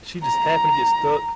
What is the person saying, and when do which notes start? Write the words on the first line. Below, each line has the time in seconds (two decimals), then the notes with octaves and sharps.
She just happened to get stuck
0.23 A#5